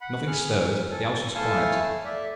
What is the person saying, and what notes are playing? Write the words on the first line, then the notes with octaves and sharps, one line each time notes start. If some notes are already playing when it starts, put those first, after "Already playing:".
Nothing stirred--the house was quiet.
F#5 B5
G#4 F6
A4 G#5
A3 E4 A4 F5 G#5 A5
D5 E5